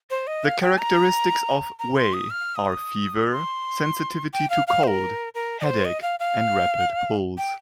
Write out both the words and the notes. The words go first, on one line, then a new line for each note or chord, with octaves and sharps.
The characteristics of "wei" are fever, sensitivity to cold, headache, and rapid pulse.
C5
D#5
F5
G5
A#5
A#5
C6
D#6
F6
D#6
C6
G5
F5
F5
C5
A#4
A#4
D#5
C5
D#5
F5
F5
G5